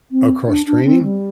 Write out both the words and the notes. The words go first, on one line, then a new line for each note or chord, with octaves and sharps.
Oh, cross-training?
C4
D4
D4
C4
G3